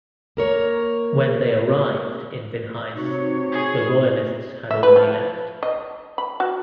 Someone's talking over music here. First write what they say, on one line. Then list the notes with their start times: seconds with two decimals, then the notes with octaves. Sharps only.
When they arrived in Vinhais the royalists had already left.
0.37 A#3 A#4 C#5
2.95 C3 D#4 F#4 C#5
3.52 G#4
4.71 E5
4.83 B4
4.96 F3
5.63 D#5
6.18 B5
6.40 F#4